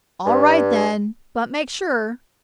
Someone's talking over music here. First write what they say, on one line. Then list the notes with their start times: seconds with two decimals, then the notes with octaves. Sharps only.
"All right, then, but make sure."
0.26 G2